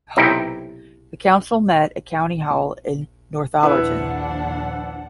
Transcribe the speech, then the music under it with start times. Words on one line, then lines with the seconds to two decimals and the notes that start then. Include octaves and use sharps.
The council met at County Hall in Northallerton.
0.17 B1 C3 D#4 E4 G5
3.63 A#1 D#2 F3 D4 E4 B4 F#5